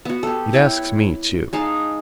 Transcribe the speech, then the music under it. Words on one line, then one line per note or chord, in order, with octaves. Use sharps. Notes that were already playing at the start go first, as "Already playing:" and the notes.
It asks me too.
B3 F#4
G4 A4
E4 B4 C#5 G5
G#3 D#4 F5 A5